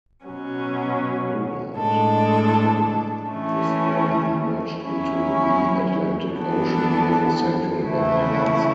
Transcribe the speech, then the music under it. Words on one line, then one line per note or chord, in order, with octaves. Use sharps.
Around that time, the storm emerged into the Atlantic Ocean near the central Bahamas.
B2 F#3 C#4
A2 G#3 D4 A4
E3 A3 C#4
F#3 C#4 E4
E3 B3 D4 A4
C#3 E3 A3 E4